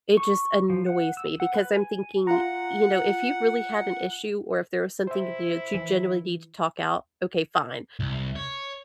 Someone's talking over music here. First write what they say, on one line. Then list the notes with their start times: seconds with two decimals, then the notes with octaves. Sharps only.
it just annoys me because I'm thinking, you know, "If you really had an issue or if there was something that you genuinely need to talk out, okay, fine.
0.17 C#6
0.70 F3
0.86 F#5
1.17 E6
1.40 F#5
1.54 B4
1.74 G#5
2.27 F4 F#5 A#5
5.07 E4 C5 E5
5.74 E3
8.00 C2
8.36 C#5